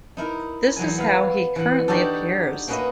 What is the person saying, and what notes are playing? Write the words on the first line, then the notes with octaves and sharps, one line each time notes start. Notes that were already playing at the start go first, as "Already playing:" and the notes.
This is how he currently appears.
D#4 E4 A#4
E2 F#3 G#5
B3 F5
E3 F#5
D4 D#4 F#4 G4 A4
A#3 C#4 F#4 B4 D#5 E5